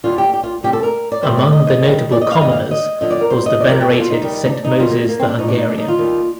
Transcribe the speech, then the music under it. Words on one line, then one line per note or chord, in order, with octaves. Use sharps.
Among the notable commoners was the venerated Saint Moses the Hungarian.
D#2 D3 G3 F4
G4
G4
F4
D2 C3 G3 G4
A4
A#4
D5
A2 G3 C5
D5
D#5
D#5
D#2 D#3 G3
D5
D#5
F5
G2 D3 G3 D#5
F5
D#5
F2 D3 F3 D#5
D5
A#4
C5
D#5
F2 D#3 G3 D5
A#4
G4
A4
F4
D#4
D#2 D#3 G3
D#4
D4
D#4
F2 D#3 G3 F4
A#3
A#3
C4
D4
A2 F3 D#4
D4
D#4
D4
D#4
F4
D#2 D#3 G3